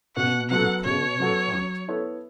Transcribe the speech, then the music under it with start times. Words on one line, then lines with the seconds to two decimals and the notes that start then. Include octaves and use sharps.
I am neither cold nor hot.
0.16 B2 F#5
0.50 F#3 B3 F#4 A4 F#5
0.85 B2 C#5
1.20 F#3 B3 F#4 A4
1.53 F#3
1.88 B3 E4 A4 C#5